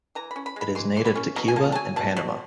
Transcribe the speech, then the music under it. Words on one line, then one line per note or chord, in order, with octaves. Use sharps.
It is native to Cuba and Panama.
E3 A#5
B5
C#4
B5
G#3 B5
E3 C6
E3 C6
B5
C#4
B2 A#5
G#5
A#3 A5
A5
F#3 G#5
B2 A5
B2